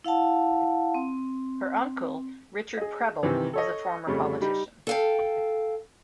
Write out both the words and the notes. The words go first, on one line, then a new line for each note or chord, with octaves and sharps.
Her uncle Richard Prebble is a former politician.
E4 F5 F#5 A5
C4
G#4 D#5
C3 D#3 E3
A4 C#5 D#5
F2 C#3 G3 A3
G3 D#4
A4 F5 G5